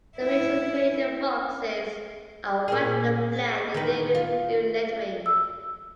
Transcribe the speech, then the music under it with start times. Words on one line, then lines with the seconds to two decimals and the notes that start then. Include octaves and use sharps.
The refrigerated boxes are white with the flag and navy blue lettering.
0.18 E4
2.68 A#2 A#3 G#4
3.74 D#3 E3 B4
4.15 F4
5.26 E6